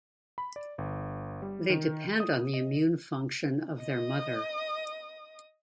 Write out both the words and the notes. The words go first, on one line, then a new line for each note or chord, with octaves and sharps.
They depend on the immune function of their mother.
B5
D5
G1
G3
D#3
D#6
D#5
D#5 D#6